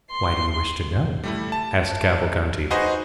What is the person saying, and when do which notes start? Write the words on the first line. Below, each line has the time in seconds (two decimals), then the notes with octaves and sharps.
"Why do you wish to know?" asked Cavalcanti.
0.11 C6
1.24 G3 A3 E4
1.52 A5
2.70 D#4 F#4 G#4 B4 C5 D#5